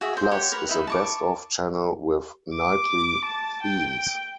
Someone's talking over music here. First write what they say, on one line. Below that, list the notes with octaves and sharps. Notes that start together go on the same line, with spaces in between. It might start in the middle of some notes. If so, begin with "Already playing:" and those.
Plus is a "best of" channel with nightly themes.
F#4 G#4 E5
C5
G4 C#5 F#5
A#4 B4
D#4 E4
A5 C#6 D6
D6
A5
G5